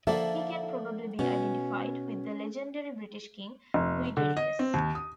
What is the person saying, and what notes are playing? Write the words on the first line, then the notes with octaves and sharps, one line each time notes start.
He can probably be identified with the legendary British king Guiderius.
D3 F3 A#3 A4 E5
B2 C#4
F1
D3
D#5
C4
D#2
D#6